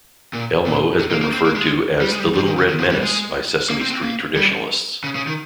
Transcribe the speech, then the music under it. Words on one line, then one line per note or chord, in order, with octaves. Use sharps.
Elmo has been referred to as the "Little Red Menace" by Sesame Street traditionalists.
A#2
A#2
C3
A#3
A#3
C4
A#3
G#3
G3
G#3
G3
F3
D#3
C#3
D#3
F3
G3
G#3
A#3
C4
C4
A#3
G3
C#3
C#3
D#3